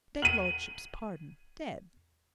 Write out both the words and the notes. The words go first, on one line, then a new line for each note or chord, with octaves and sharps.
"Begludship's pardon--dead."
D#7 F#7